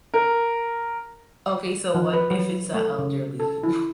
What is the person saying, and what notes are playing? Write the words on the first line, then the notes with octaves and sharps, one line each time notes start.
Okay, so what if it's a elderly, wo
A#4
F3
B4
F#3
A3
C#3
A4
E4